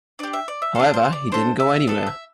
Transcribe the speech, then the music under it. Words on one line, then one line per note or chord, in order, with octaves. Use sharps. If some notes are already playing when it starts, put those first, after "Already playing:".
However he didn’t go anywhere.
D4 G4 D5
E5
D5
E5
D4 A4 F5
C5
D5
D4 A4 C5
E5
B3 D4 A4
E5